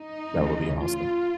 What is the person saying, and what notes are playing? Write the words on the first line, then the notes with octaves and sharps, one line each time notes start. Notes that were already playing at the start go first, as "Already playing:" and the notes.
That would be awesome.
Already playing: D#4
D2 C#3 E3
F4